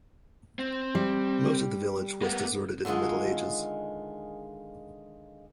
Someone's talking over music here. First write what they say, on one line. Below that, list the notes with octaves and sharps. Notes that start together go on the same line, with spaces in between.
Most of the village was deserted in the Middle Ages.
C4
G3
A#3 B3
D3 D#3 G#3 F4 G#4